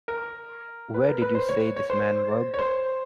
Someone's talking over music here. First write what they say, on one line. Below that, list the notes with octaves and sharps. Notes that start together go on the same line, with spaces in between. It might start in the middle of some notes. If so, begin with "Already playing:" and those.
Where did you say this man worked?
A#4
B4
A#4
B4
C5
C#5
C#5
C5
C#5
C5